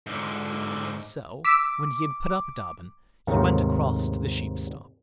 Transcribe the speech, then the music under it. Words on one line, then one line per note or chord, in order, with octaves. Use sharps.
So when he had put up Dobbin, he went across to the sheep- stall.
G#2 D3
D6 E6 B6
D#2 G#2 C3 D#3 A3 C#5